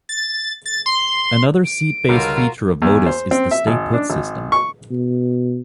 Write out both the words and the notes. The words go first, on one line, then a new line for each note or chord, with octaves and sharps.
Another seat-based feature of Modus is the "Stay Put" system.
A6
A6
C6
D7
C#2 D3 G3 F4 F#4 A#4
E2
C5
C4
E5
G#1
D4
G#1
C#6
B2